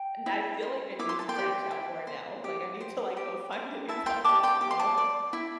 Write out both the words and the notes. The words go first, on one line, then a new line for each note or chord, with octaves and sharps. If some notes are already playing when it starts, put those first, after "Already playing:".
And I feel like I need to branch out more now, like, I need to like, go find a new podcast on my own.
Already playing: G5
E4
C5
E4 D6
C6
A5
G5 C6
G4 D5
E4
C5
G4
C5
G4
C5
E4 E5 A5
G5 C6
G4 D5 A5 D6
G5 C6
G4 D6
C6
A5 D6
D5
E4